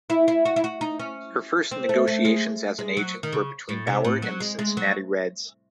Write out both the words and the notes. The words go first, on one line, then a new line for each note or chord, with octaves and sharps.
Her first negotiations as an agent were between Bauer and the Cincinnati Reds.
E4
E4
F#4
E4
F#4
D#4
C#4
C4
A3
A3
G#3
G#3
F#3
D#3
C#3
A2
C3
A2
F#3
G#3
G#3
F#3